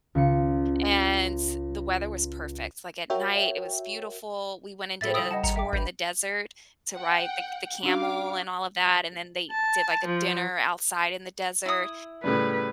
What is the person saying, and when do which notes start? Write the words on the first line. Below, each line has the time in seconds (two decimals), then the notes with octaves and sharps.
and the weather was perfect, like, at night, it was beautiful. We went and did a tour in the desert to ride the the camel and all of that, and then they did, like, a dinner outside in the desert,
0.15 C#2 C#7
3.10 F#4 A#4 C#5 E5 G5
5.01 A2 G#3 C4 A4 E5 A6
5.14 C#3 G3 E4 D#6 E6 D7
5.31 D#5 F#5 A5
5.44 G#1 A#5 C#7
5.56 G2 E5 G5 D6
5.73 G#1 B4 G6
6.96 F#5 G5
7.83 C#4 D4 F#4 F5 D6
9.51 A5
10.06 F3
11.66 E4 D#6
12.24 A2 C#3 G3 B4